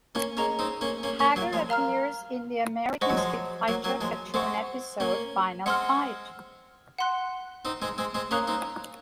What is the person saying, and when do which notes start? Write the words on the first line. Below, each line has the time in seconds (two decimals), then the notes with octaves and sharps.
Haggar appears in the American "Street Fighter" cartoon episode "Final Fight".
0.15 A#3 C#4
0.37 A#3 C#4 G#4 D#5 A#5
0.59 C4 D#4
0.81 A#3 C#4
1.03 A#3 C#4
1.19 A#3 C#4
1.36 F#3 A#3
1.53 F3 G#3
1.69 A#4 F5 A#5 F6
3.01 G#3 C5 D#5 F#5 C#6
3.10 F#3
3.17 F3 G#3
3.68 F#3 A#3
3.84 F#3 A#3
4.01 F3 G#3
4.34 G#3 C4 C5 F#5 C#6
5.00 A#3 C#4
5.66 G#3 C4 F#5 C6 F6
6.98 F#5 C6 F#6
7.65 C4 D#4
7.82 G#3 C4
7.98 G#3 C4
8.15 G#3 C4
8.31 A#3 C#4 F5 A#5 D#6 F#6
8.47 C4 D#4